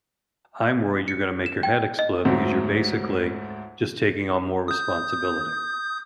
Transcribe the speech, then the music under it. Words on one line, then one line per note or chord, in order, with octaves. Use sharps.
I'm worried you're gonna make your head explode because you're basically just taking on more responsibility
C#7
E7
G5
D#5
D2 G#2 F#3
D#6 G6